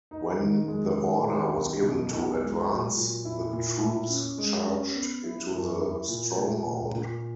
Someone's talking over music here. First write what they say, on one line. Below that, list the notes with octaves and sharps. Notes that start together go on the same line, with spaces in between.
When the order was given to advance, the troops charged into the Stronghold.
D#4
D#3
G#3
D#3
D#3
B1
B2
B1
G#3
F#3
A#2
E4
A#2
E4
C#4
G#3
C#4
B3
E4
F#2
E4
A#2
A#2
A#2
A#2